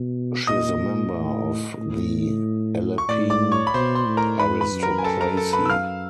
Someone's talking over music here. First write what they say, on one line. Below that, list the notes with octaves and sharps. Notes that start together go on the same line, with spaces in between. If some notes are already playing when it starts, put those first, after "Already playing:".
She is a member of the Aleppine aristocracy.
Already playing: B2
A#2 D#5 D#6
A2
A2
C#6
A2 D5 D6
D5 D6
C#5 C#6
B5
B2 C5 C6
C5 C6
A2
A#4 A#5
G#2 B4 B5
B4 B5
F#2
A#4 A#5
G#5
A4 A5
A#4 A#5
A4 A5
B4 B5
E6
F5 F6